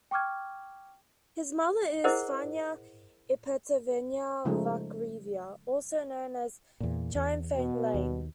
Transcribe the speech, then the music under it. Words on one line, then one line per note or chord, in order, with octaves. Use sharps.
His mother is Faina Ipatyevna Vakhreva, also known as Chiang Fang-liang.
G5 C#6 D6 F6 G#6
E4 G#4 A#4 C5 D#5 F#5
C#3 F3 G#3 A3 D#4
E2 A#2
E2
B2
D#2